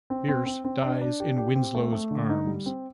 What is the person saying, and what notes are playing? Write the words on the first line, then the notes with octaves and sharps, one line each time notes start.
Bierce dies in Winslow's arms.
C4
C4
C4
C4
D4
D4
G4
G4
C4
A3
A3
D3
D#4
G3
C4